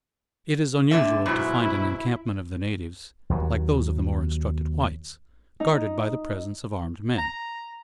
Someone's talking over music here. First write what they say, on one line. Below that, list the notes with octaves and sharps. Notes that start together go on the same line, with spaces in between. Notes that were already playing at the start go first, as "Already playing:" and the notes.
It is unusual to find an encampment of the natives, like those of the more instructed whites, guarded by the presence of armed men.
A#2 D3 E5
G#2 B2 F#3 E4
D#2 F#3
D#4
A#5